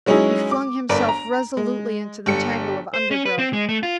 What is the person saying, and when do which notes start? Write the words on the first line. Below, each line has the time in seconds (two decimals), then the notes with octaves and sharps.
He flung himself resolutely into the tangle of undergrowth.
0.06 F#3 G#3 C#4 D#4 E4 G#4
0.51 D6
0.89 G1 A#4 B4 D5 D7
1.08 A#5
1.57 G#3
2.26 G1 G3 C#7
2.94 C5
3.11 C#4
3.26 B4
3.39 C4
3.53 G#3
3.69 A3
3.83 F4